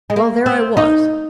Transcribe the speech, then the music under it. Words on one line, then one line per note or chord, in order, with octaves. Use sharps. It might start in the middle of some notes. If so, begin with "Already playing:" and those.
Well, there I was.
G#3
A#3
C4
D#4